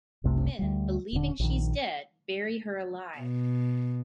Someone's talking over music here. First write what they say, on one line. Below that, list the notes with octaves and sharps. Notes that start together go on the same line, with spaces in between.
The two men, believing she's dead, bury her alive.
F#1 C2 C3 A3
D2 G3
D#1 D3
A#1 D#3
B2